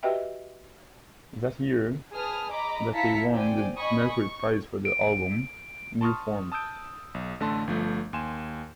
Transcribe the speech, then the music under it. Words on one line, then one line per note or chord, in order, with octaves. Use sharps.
That year they won the Mercury Prize for their album "New Forms".
F#4 G4 B4 D#5 E5 G5
G#4 B4 A5 D#6 F6
D#5 A#5 B5 D6
E4 F5 A5 A#5 B6 C#7
C5 D5 G5 G#5
D#5 G#5 B5 C#6 D#6
C#6
D7
A5 C6 C#6 D#6 F6
A5 D#6 E6 G6 D7
B1
A1 D3 A3 A5 C6
G1 F3 A3 G6
D#2 G#5 C6 E7